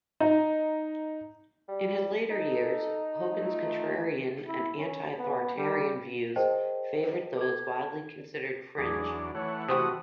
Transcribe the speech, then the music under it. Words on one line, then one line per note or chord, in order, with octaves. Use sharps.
In his later years, Hogan's contrarian and anti-authoritarian views favored those widely considered "fringe".
D#4
G3
D#4 A4
A3 F4
E4
C#4
B3
G3
G#4 A#4 C5 D#5 G5 A5
A4 G#6
E2 F#3 D4 G#4
E3 A3 C#5 F#5
C3 C4 F#4 D#6